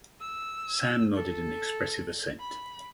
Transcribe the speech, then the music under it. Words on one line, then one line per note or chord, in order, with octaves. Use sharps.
Sam nodded an expressive assent.
E6
A4
B5